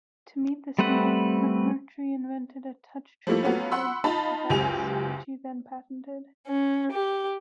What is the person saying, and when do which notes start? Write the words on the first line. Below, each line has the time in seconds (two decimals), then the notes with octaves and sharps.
To meet this need, McMurtry invented a touch-trigger probe device, which he then patented.
0.79 G3 A3 C4 B4 F#5
3.27 F3 G3 A3 A#3 E4
3.43 F#3 A3 B3 C#4 F4
3.72 F#5 B5 C6 E6
4.04 D#4 F4 A5 B5
4.49 F#1 C#2 F#2 G4 G#5 F7
6.47 C#4
6.92 G4